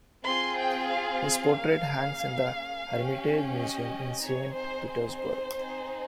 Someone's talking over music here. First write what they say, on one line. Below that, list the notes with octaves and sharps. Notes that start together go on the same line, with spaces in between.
His portrait hangs in the Hermitage Museum in Saint Petersburg.
C4 F4 G#4 C6
G5
F5
A#3 C#4 G#4
C#4 G4
D#5
C4 D#4 G#4 C#5
C5
C5
C4 D#4 G#4